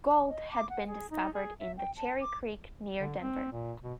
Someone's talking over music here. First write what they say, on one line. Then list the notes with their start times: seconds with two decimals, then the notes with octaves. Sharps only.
Gold, had been discovered in the Cherry Creek, near Denver.
0.28 D#5
0.51 D6
0.69 F#5
0.87 G#4
1.10 D#4
1.33 G#4
1.59 E5
1.77 G5
1.96 A5
2.20 D6
2.98 D3
3.22 C4
3.53 A#2
3.84 B2